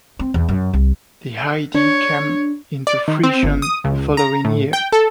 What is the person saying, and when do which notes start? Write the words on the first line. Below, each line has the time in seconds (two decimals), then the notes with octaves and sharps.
The idea came into fruition the following year.
0.19 C4
0.34 E2
0.48 F#2
0.73 C2
1.75 D4 C#5
2.87 D5
3.08 D#3
3.24 C4
3.43 G1
3.62 D#6
3.84 C#2
4.17 A#5
4.45 A2
4.73 G5
4.92 A4